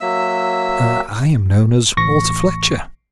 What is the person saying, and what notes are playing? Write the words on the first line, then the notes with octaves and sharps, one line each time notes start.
"I am known as Walter Fletcher."
F#3 A#3 E5 E6
A1 C#6 A#6